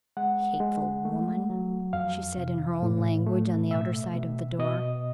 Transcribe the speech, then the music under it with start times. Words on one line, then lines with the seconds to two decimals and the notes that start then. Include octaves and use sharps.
"Hateful woman!" she said in her own language, on the outer side of the door.
0.17 G#3 F#5
0.60 G#3
1.05 A3
1.50 F#3
1.93 F2 F5
2.37 C3
2.83 A2
3.26 A3
3.70 B2 E5
4.14 B2
4.59 B2 D#5